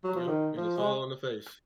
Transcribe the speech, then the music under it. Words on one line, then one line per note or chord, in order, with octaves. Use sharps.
Yep, and it's all on the face.
F#3
F3
D#3
F3
G#3